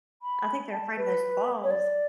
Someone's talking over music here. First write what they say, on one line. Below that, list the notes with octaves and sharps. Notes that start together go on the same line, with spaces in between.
I think they're afraid of those claws.
B5
A5
B4
C#5
D5